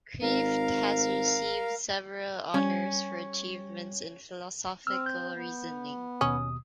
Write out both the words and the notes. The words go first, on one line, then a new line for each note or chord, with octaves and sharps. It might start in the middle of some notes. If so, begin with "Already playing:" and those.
Kreeft has received several honors for achievements in philosophical reasoning.
G#1 A#4 F5
G3 C#4
C4 E6 F6
G6
B3
D#2 B2 C#4 D#6